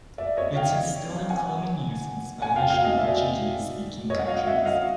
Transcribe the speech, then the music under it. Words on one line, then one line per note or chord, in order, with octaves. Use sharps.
It is still in common use in Spanish- and Portuguese-speaking countries.
D5 E5
C#5 D#5
F5 G5
F#5 G#5
F#5 G#5
F5 G5
F5 G5
D#5 F5
D5 E5
C#5 D#5
F#5
D#5 F5
E5 F#5
D#5 F5